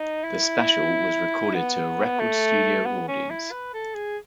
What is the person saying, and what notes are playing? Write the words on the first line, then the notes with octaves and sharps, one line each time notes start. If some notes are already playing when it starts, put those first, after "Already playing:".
The special was recorded to a record studio audience.
Already playing: D#4
E4
B3
A3
B3
C#4
E4
B4
A4
G#4